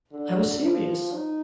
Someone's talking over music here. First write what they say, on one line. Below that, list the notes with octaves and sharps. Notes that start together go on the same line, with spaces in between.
I was serious.
D3
F3
D#4